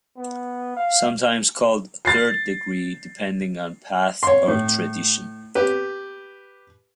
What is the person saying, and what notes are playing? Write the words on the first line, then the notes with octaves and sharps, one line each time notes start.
Sometimes called Third degree, depending on path or tradition.
B3
F5
A6 C7
C#5 C6
A2
G4 B4